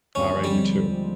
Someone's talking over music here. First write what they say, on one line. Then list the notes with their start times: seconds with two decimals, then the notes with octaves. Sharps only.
Alright, you, too.
0.15 D#2 D3 F3 G#3 C4 C#4
0.44 G3